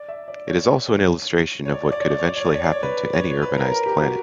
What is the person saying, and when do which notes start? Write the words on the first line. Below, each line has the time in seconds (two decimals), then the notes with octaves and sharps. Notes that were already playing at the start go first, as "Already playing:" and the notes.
It is also an illustration of what could eventually happen to any urbanized planet.
Already playing: D5
0.08 E5
0.28 D5
0.47 C#5
1.66 C#5
1.74 D5
1.83 C#5
1.92 D5
2.01 C#5
2.11 D5
2.19 C#5
2.27 D5
2.37 C#5
2.46 D5
2.54 C#5
2.63 D5
2.72 C#5
2.83 B4
3.13 C#5
3.31 C#5
3.42 B4
3.58 A#4
3.72 A#4
3.86 G4
4.01 F#4